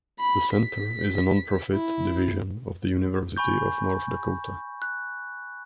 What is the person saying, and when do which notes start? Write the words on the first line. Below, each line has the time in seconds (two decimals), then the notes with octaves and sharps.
The center is a nonprofit division of the University of North Dakota.
0.20 B5
0.55 B6
1.73 E4
3.37 G#5 B5 C#6 G6
4.82 F#6